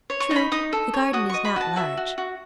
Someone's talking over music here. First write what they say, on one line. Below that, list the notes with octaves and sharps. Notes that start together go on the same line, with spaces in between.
"True, the garden is not large."
C#5
C#6
D#4 B5
D#4 D#6
A4
C#5
F#4 D#6
D#5 C#6
B5
F#4 A5
F#4 E5
F#4
F#4